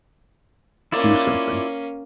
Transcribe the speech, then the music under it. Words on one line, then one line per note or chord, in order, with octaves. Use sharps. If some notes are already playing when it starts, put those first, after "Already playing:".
Do something!
A#3 C#4 E4 F4 D5